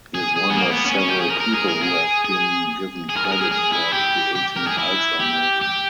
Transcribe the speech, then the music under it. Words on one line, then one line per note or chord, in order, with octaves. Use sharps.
He is one of several people who have been given credit for creating Ultraman.
G#4
G#4
B3
A#3
B3
C#4
C#4
G4
G#4
A#4
A#4
G#4
A#4
G#4
G#4
G#4
A#4
G#4
A#4
G#4
G#4
E4
G4
G4
A#4
G#4
E4
G4
G4